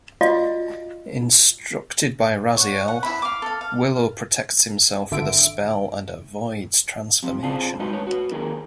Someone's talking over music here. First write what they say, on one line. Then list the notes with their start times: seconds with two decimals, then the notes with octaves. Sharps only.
Instructed by Raziel, Willow protects himself with a spell and avoids transformation.
0.21 F4 F#4 D5 D#5 F5
2.57 C#5 F#5
2.88 F#5
3.03 E4 E5 B5
3.22 F5 D6
3.42 A4 F5
3.61 F5
5.11 G#1 D3 E5 D7
7.23 F2 C3
7.43 C3 C4 D4 F4 G#4
7.79 A2 G#3 D#4 F#4 B4 D#5
7.93 A3 B4 C#5
8.07 F#4 B4
8.32 D3 D#3 A#3 G#4 A#4